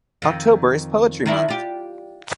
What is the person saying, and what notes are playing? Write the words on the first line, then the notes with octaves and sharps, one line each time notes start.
October is Poetry month.
F2 D#3
D#3 D4 E4
F4 G4